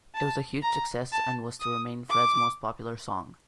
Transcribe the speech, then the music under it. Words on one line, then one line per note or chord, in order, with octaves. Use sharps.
It was a huge success and was to remain Fred's most popular song.
A5
A#5
A5
D#6
D6